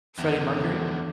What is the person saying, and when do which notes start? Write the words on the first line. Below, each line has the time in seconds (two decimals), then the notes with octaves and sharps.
Freddie Mercury?
0.19 E2 D3